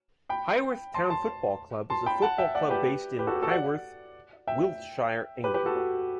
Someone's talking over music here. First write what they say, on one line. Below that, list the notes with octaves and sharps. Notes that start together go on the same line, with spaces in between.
Highworth Town Football Club is a football club based in Highworth, Wiltshire, England.
G5 B5
A5 C6
A5 C6
A5 C6
G5 B5
F#5 A5
E5 G5
D5 F#5
G4 B4
G4 B4
F#4 A4
G4
F#4 A4
D5 F#5
E5 G5
G4 B4
G4 B4
F#4 A4
F#4